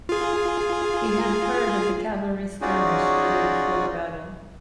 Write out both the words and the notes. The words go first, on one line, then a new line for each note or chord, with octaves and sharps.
He had heard of the cavalry skirmish the day before the battle.
F4 G#4
C#4 D#4 F4 F#4 G#4 D5